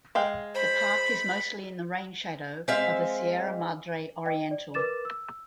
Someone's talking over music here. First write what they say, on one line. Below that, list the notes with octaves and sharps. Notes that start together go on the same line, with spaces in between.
The park is mostly in the rain shadow of the Sierra Madre Oriental.
G#3 F5 G5
C5 B5
G#3 C4 E5 F5
D#5 G5
D5
A#4 B4 D6 A6 E7
E6